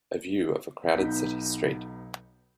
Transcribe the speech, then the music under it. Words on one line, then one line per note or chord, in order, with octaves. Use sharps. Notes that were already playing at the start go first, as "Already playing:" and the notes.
A view of a crowded city street.
B1 B3 D#4 G6 B6